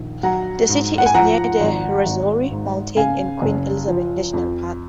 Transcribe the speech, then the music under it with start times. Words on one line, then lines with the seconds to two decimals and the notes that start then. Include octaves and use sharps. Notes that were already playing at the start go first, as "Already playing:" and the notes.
The city is near the Rwenzori Mountains and Queen Elizabeth National Park.
Already playing: A#1 D#3
0.23 F#3 F#5 A#5
0.69 G#2
0.98 F#5
1.06 G#5
1.14 F3 F#5 A#5
1.60 G#1
2.06 G#1
2.51 G#2
2.96 C#3 F5 G#5
3.42 F#1
3.88 F3
4.33 F2